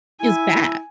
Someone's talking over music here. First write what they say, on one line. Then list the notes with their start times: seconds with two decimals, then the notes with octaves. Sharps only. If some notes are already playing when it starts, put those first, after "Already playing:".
is bad.
0.20 E4 G#5